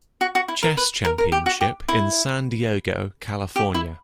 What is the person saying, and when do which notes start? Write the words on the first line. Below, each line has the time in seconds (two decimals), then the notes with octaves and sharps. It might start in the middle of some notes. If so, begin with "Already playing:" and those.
Chess Championship in San Diego, California.
0.21 F#4
0.35 F#4
0.48 E4
0.63 A#4
0.77 B4
1.05 A#4
1.18 A#4
1.32 G4
1.46 F#4
1.61 G4
1.88 E4
3.56 G4
3.74 E4